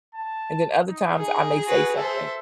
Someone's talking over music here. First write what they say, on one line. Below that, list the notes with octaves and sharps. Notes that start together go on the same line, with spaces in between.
and then other times, I may say something
A5
D#4
G#4
F#4 B4
A4 C5 E5